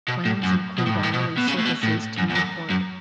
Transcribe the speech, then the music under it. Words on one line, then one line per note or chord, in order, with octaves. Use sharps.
Plans include hourly services to Newport.
B2
A2
F#2
B2
A2
G2
A2
B2
B2
C#3
A2
B2
A2
F#2
E2
F#2
F#2